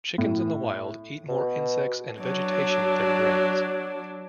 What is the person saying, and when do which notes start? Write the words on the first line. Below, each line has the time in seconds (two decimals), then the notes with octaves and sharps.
Chickens in the wild eat more insects and vegetation than grains.
0.18 A2
1.29 B2
2.21 F#3 D4